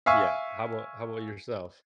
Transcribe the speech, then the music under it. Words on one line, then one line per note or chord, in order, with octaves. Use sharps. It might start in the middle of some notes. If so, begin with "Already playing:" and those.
Yeah, how 'bout how ‘bout yourself?
E5 F5 G#5 C#6 E6